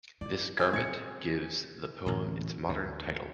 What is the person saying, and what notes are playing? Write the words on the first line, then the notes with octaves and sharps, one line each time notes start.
This garment gives the poem its modern title.
E4 D5
C4 G#4 G#5
C#3 G#6 C#7
D1 A1
D2